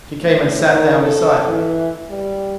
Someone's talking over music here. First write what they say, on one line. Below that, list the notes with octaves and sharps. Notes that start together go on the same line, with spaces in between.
She came and sat down beside me.
A2
D#3
A4
E3
G3